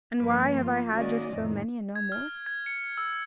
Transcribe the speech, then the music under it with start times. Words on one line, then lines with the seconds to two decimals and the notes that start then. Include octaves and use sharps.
And why have I had just so many and no more?
0.19 G2 F3 A#3 B4
0.60 F4
0.93 D#3 A#3 C#4 F#4 D5 D#5
1.34 F2 A2 D#3 F3
1.96 G#6
2.12 F6
2.46 G#6
2.66 C#7
2.97 E6